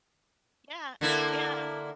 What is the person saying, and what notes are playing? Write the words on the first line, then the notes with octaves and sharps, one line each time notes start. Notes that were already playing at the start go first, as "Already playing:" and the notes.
Yeah. Yeah.
D3 A#3 E4